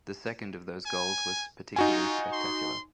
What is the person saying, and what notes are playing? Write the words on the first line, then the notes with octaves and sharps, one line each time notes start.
The second of those goals was particularly spectacular.
G#5
D#4 F4 F#4 G#5
C6